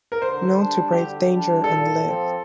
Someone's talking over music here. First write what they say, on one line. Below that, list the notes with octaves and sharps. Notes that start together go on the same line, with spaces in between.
Known to brave danger and live.
A#4
D3 C5
G3 D4
D3 G4
G3 D4
A#2 A4
F3 C4